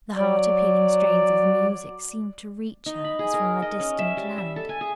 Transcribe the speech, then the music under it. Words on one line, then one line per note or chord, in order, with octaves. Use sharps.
The heart-appealing strains of the music seemed to reach her, as from a distant land.
F#3 D5
D#4
B5
G#4
A#4
D#5
C#4
E5
G3
E5
A4
G#5
G#4